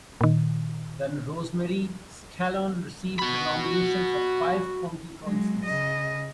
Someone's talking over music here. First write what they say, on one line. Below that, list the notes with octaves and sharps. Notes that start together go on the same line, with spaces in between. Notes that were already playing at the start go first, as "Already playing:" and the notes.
Dana Rosemary Scallon received the nominations of five county councils.
A#2 D#3
F#4 B5
F#3 G#3
C#3 D#5